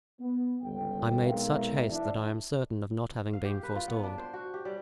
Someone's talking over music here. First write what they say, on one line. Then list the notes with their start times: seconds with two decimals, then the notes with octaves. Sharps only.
I made such haste that I am certain of not having been forestalled.
0.20 B3
0.63 G1 C#2 G5
1.25 B1 G#3 C4 A#4 E5 F5
1.90 E3 D4 E5
3.33 F5
3.45 G4
3.63 B4
3.75 F4
3.88 B3
4.04 D4
4.18 C5
4.33 F#4
4.54 G4
4.65 G3